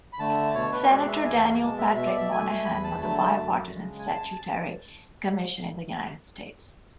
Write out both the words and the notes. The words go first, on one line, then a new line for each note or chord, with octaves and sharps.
Senator Daniel Patrick Moynihan, was a bipartisan statutory commission in the United States.
B5
D3 A3 A5
B2 C#5
B4
C#5
G#3 D5
E5
E2 G#5
B2 G#3 A5
E5
B2 E5
D5
E5
A3 G#5
E2 B5
A5
D3 F#3 A3 A5
A5
F#2
C#3 G#3
G#5
A5